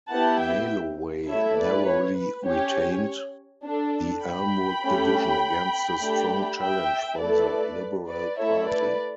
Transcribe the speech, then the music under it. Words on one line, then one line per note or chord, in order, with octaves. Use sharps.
Maloway narrowly retained the Elmwood division against a strong challenge from the Liberal Party.
B3 E4 G4 F#5 A5
E5 G5
A3 E4 A4 C#5 E5
B4 D5
C#5
B4
C#4 G4 C#5
D4 A4
G5 B5
A3 C#4 G4
A3 D4 G4
E5 G5
A3 E4 A4 B4 D5
B4 D5
A3 E4 A4 C#5 E5
B4 D5